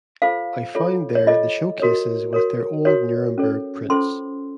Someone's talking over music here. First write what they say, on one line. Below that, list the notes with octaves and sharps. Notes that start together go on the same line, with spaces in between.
I found there the show-cases with their old Nuremberg prints.
F4 A4 C5 F5
F4 A4 C#5
C#5
F4 A4 C#5 D#5
F#4 A#4 C#5
F#4 A#4 C#5
F#4 A#4 C#5
C#4 A4 C#5
C#4 F4 A4 C5 C6